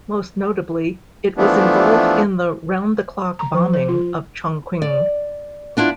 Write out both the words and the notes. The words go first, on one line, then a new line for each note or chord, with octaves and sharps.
Most notably, it was involved in the round-the-clock bombing of Chongqing.
E3 F3 A3 B3 D4
A#5
F3
C5
F4
D5
B3 D4 E4 F4